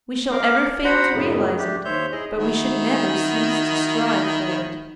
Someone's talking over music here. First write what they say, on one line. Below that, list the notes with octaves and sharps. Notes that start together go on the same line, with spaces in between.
We shall ever fail to realise it, but we should never cease to strive for it.
A#4 F5 D6
F#4 C5 F#5 A#5 B5
F#2 A2 C#3
A3 D4 G4
D#2 C5 C#5 E5 G6
E4 G#4 D#5
D#3 E4 F#4